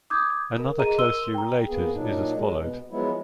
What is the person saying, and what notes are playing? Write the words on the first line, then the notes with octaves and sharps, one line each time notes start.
Another closely related is as followed.
D6 D#6 G6 G#6
A#4
G#4 D#5 A#5 D#7
A#4 C6 E6 D#7 G7
G5 A#5
A#3 B3 G#4
A#2 F#3 D4 D#4
F#3 G#3
B2
F3 F#3 G#3 B3 E4